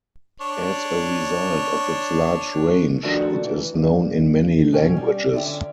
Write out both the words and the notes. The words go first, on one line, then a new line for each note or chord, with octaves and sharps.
As a result of its large range, it is known in many languages.
D4 C#5
D#3 F3 A3 D4 F#4
E3
G2
B2 C#4 G5
G3
D3 C#4 E5 G5